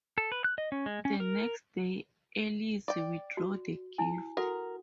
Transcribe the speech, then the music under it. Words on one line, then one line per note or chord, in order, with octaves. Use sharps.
The next day Ailes withdrew the gift.
A4
B4
F#6
D#5
C#4
G#3
C#4
A#4
D5 G5
F#4
E4 G#5
F#4 A4 A#4 F#5